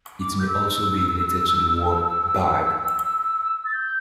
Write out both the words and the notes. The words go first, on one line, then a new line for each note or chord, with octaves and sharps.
It may also be related to the word "bag".
D6
G6
E6
A6
G6